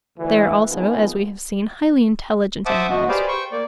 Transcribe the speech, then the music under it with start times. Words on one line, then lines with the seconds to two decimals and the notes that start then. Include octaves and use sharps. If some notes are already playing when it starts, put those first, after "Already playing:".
They are also, as we have seen, highly intelligent animals.
0.18 D2 E3
0.67 A#1 D#3 F3 B3 G#4
2.66 C5 E5 F#5 A5 D6 D#6
2.90 F#4 D#5
3.09 G4 G#4 B4 C5 D5 F5
3.28 C5 G5 C#6
3.52 A#3 D5